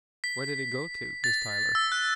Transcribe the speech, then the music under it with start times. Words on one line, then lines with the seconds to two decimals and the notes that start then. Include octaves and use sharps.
"Where did he go to, Miss Tyler?"
0.24 B6
1.24 A6
1.75 E6
1.92 F#6